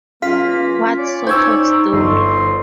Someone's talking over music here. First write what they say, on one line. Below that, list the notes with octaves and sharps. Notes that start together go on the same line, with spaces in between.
What sort of story?
E2 F#3 A#3 C#4 F4 F5 B6
C#4 C#5 D5
D#4 C5 C#6 E6 G6 G#6
G1 D5 D#5 C6